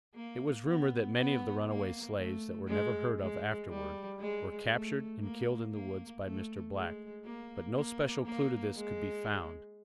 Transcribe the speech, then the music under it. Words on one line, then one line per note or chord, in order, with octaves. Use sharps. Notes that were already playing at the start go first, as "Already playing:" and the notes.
It was rumored that many of the runaway slaves that were never heard of afterward, were captured and killed in the woods by Mr. Black, but no special clue to this could be found.
A#3
B3
B3
A#3
A3
G#3
G#3
G3
G#3
A3
A#3
A#3
A3
G#3
A#3
A#3
A#3
G#3